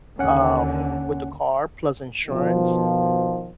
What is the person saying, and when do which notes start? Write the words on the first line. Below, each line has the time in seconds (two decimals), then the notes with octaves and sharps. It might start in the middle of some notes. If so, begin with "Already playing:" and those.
uh, f with the car, plus insurance,
0.19 D#2 D3 C#4 F#5
2.27 B2 D#3 F3